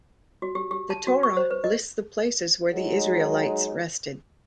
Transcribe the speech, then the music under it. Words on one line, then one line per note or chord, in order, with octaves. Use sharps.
The Torah lists the places where the Israelites rested.
F#4
G4
G4
A5
F#4
C#6
C5
B4
D#5
F#3 G#3 D#4